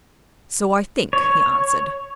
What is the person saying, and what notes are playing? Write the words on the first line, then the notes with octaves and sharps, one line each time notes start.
'So I think,' he answered.
C#5